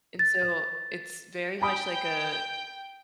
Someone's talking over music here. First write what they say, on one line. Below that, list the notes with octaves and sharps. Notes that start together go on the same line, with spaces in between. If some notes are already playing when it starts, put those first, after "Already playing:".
And so it's very much like a
A6
G5 G#5 B5 D#6